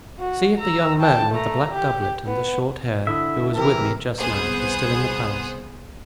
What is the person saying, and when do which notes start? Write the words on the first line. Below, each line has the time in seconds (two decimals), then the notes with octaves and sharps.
"See if the young man with the black doublet and the short hair, who was with me just now, is still in the palace."
0.19 F#4
0.58 A#5 E6
0.99 G5 A5
1.31 A3 A#5
1.71 G4
2.27 B3
3.07 D3 E4 E5 D#6
3.56 C3 E3 G4 A#4 A#5
4.18 C2 B3 G#4 C5 D#6